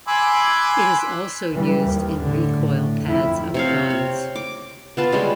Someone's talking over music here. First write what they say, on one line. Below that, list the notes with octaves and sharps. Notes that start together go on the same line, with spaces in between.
It is also used in recoil pads of guns.
G#5 B5 C6 D6 E6 F#6
E3 G3
D#2
A2 D3
A2
F2 E4
C3 C#5 F5
C#5
D6
B3 F4 A5
G3 G#3 C#4